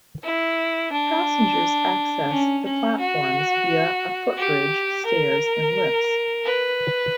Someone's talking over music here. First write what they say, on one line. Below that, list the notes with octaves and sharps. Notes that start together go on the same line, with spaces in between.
Passengers access the platforms via a footbridge, stairs and lifts.
E4
D4
C#4
C#4
F#4
G4
A#4
B4